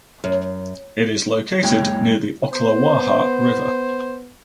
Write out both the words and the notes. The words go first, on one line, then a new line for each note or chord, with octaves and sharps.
It is located near the Ocklawaha River.
F#2
F#2 G#3 A#3 E4 C#5 G5
B3 C5